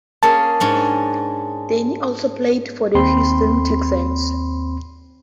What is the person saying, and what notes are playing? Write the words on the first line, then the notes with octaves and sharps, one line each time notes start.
Denney also played for the Houston Texans.
A#3 C#4 G#4 A5
G#2 C#4 D4
D#2 C4 B5 C6